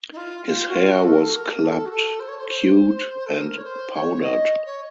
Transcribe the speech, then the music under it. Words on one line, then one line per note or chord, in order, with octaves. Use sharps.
His hair was clubbed, queued, and powdered.
D#4
F4
F4
F#4
F4
F#4
A4
A#4
A4
A#4
A4
F#4
A4
C5
C#5
C5
C5
A4
A#4
C#5
C5
C#5
D#5
C#5